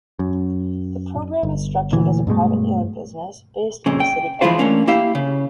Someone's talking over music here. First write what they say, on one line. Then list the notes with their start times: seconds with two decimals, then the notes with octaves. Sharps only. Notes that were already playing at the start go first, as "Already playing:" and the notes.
The program is structured as a privately owned business based in the city government.
0.19 F#2
1.43 G1
1.92 D2 A#2 E3
2.27 G2 B2 G#3 A3
3.86 F2 A#2 C#3
4.00 G5
4.41 E3 F3 G#3 E4 F4 C5
4.58 E3 A3 A#3 C#4 D4
4.87 A#3 E4 G4 E5 F5
5.15 C#3